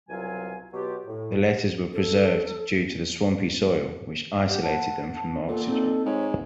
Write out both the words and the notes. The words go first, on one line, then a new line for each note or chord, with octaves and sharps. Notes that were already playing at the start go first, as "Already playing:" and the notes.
The letters were preserved due to the swampy soil which isolated them from oxygen.
C2 B2 F#3 F4 F5 G#5
B2 F#3 F4 G4
A2
A4
G4 F#5
A5
A#2 A4
C4 D#4 A4
G#2 C#5